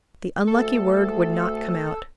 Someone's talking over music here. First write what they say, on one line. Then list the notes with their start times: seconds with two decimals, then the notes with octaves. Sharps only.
The unlucky word would not come out.
0.47 D2 A4